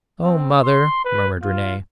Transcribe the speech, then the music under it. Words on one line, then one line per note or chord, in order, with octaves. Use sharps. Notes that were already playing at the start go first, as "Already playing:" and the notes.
"O mother!" murmured Renee.
C4
C6
B4
F4